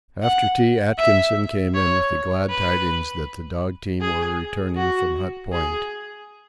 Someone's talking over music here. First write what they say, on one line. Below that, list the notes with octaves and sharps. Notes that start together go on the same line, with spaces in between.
After tea Atkinson came in with the glad tidings that the dog team were returning from Hut Point.
F#5
E5
C#5
B4
G#4
F#4
G#4